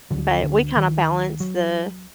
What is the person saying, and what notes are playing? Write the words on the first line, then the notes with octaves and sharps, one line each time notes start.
but we kinda balance the
D2 D3 F#3
D3
D#3
F#3